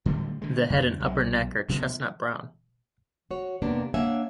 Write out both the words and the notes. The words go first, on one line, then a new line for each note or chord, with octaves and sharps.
The head and upper neck are chestnut brown.
A2 D3 G3 G#3
D3 G#3
F2 D3
B1 G#3
D2 B2 F3 B3
F#4 C#5
F2 C3 A#3 B3 D4
A#3 D4 C#5 E5 F#5 G#5